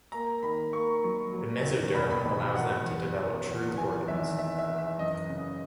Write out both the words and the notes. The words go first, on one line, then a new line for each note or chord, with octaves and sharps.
The mesoderm allows them to develop true organs.
A#3 A#5
D#3 B5
A#3 C#6
F#3
F#3
D#2
E1 B5
B5
E1 B5
B5
E2 F#5
E2
E2
E2
E3 G#5
G#1 E5
E3 E5
E5
E3
E5
F#2 D#5
C#3